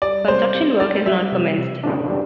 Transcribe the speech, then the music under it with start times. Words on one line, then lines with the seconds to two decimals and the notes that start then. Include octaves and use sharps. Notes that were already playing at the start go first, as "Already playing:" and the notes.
Construction work has not commenced.
0.02 G3 D5
0.28 C3 C5
0.55 C3
0.80 D4 D5
1.06 G3 E5
1.32 C3
1.58 C3
1.83 D4
2.10 G3